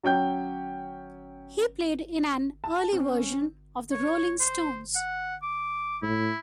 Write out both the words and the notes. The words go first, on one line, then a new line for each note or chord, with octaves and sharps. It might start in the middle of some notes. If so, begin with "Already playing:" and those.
He played in an early version of the Rolling Stones.
F#3 C#4 G5 G6
A5
C4 C#4
C#5
C5
F#5
D6
A2 E4